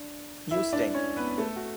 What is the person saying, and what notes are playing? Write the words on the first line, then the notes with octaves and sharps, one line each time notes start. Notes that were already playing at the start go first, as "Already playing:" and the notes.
You stink.
Already playing: D4
E4 E5
D4 D5
C#4 C#5
B3 B4
A3 A4
F#4